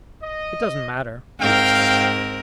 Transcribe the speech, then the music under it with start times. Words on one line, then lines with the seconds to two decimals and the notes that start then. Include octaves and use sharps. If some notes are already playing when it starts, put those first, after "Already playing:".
"It doesn't matter," Peter said.
0.21 D#5
1.40 G#2 C4 A#4 F5 G5